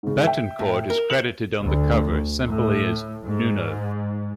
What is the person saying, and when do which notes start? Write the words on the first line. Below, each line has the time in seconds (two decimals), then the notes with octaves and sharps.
Bettencourt is credited on the cover simply as "Nuno".
0.03 G#2 C#3
0.23 E5 G5
0.59 A2
0.90 A#4
1.10 C#7 E7 F#7
1.61 D2
2.45 A2
3.23 G#2